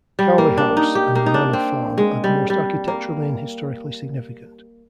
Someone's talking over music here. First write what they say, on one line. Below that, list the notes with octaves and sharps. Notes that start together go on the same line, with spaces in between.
Cowley House, and the Manor Farm are the most architecturally and historically significant.
G3
A#3
D4
D#4
G4
A#3
D#4
D4
C4
G#3
G3
G3
A#3